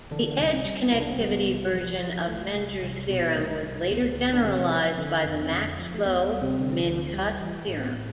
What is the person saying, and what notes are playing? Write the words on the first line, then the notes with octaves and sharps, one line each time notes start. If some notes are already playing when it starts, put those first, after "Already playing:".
The edge-connectivity version of Menger's theorem was later generalized by the max-flow min-cut theorem.
D3 E3 D4
C2
G3
C2 E4
D4
C4
G3 B3
C2
F3
F3
C2 A3
C2
C2
B2
C2 A3
C2
D2 B3
D2
D4
C3 F3 C4
F3
D3
F2
C4
F2 D3 D4
F3
A3
D2 B3
B3
G3
C3 C4
D3
D2
G3
E3
A2 A3
C4
B3
A2